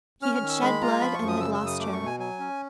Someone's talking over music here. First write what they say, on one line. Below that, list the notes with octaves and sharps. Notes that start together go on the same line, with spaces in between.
He had shed blood and had lost her.
C#4 F6
F6
D#3
E6
G#3 B5
F4 A#5
F3 B5
C#6
F#2
D#6
C#3 E6
E6
F#2
D#6
A3 D6
C#6
B2
G#5
F#3 G#5
C#4